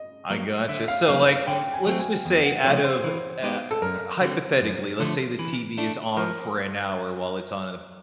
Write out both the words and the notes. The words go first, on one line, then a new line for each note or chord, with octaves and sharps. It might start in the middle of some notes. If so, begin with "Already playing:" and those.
I gotcha, so, like, let's just say out of, uh Hypothetically, let's say the TV is on for an hour while it's on in the ba
Already playing: D#5
F#3 A#3
D3 E5
F5
F#3 A#3 D#4 F5
F5
D3 G5
G#5
F#3 A3 C4
G#5
E2
F#5
C3 F3 G#3 C#5
C5
E3
G#3 B3 D#4 G4
A4
F#2 A#4
D3 G3 C4
F#2
D3 F3 A3
E3
A3 D4
F3 A#4